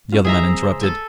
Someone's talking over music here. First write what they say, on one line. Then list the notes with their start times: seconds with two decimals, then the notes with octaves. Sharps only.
The other man interrupted.
0.12 G3 C#4 F4
0.24 E4 F4 G#4 D#5 E5 A#5
0.45 F#2 C4
0.63 C#2 C5
0.81 A4 G#5